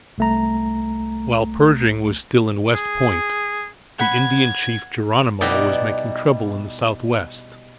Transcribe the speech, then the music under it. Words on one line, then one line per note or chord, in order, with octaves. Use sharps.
While Pershing was still in West Point, the Indian chief Geronimo was making trouble in the Southwest.
C2 A3 A#5
G#4
F#5 B5 G#6
B2 G3 D#4 E4 D5